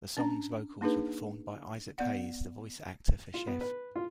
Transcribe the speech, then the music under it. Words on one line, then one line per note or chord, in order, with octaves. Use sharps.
The song's vocals were performed by Isaac Hayes, the voice actor for Chef.
C#4 D4 A#5
A#3 D4 D#4 G#4 B4
B3 D5 F#5
F4
B3
B4
F4